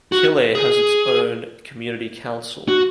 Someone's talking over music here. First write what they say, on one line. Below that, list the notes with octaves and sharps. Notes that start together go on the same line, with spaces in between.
Killay has its own community council.
F#4
G#4
F#4